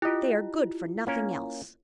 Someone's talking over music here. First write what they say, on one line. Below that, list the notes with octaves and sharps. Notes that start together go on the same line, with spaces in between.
They are good for nothing else.
E4 F4 G4 D#5
A#3 C#4 A#4